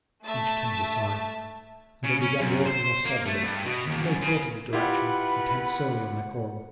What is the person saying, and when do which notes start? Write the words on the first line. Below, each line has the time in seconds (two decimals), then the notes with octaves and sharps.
Each turned aside, and they began walking off severally, with no thought of the direction, intent solely on their quarrel.
0.24 A3 E5 A5
2.03 C#3
2.21 C#4
2.41 F#2
2.66 C5
3.06 A#3
3.26 A3
3.44 G2
3.65 B2
3.86 D#2
4.02 F#2
4.21 C#3
4.73 E4 F4 G4 B4 F#5